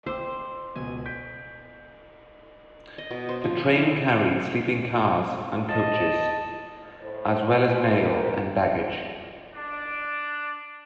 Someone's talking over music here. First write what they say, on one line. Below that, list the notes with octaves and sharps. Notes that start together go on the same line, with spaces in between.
The train carried sleeping cars and coaches, as well as mail and baggage.
C5 G5 D6 E6
C#2 B2 G#5
G6 B6 D7
D#5
B2
C5
F3
G#5
E4
D#5 A5
A2 C5
G4 A#4 B4
D4